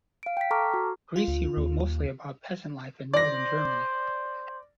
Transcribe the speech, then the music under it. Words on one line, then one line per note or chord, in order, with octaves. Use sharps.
Griese wrote mostly about peasant life in northern Germany.
F5 D7
G5 B6
A4 A5 A#5 C#6 D6 F6
F#4
F4
D2
D#2
C5 D5 A#6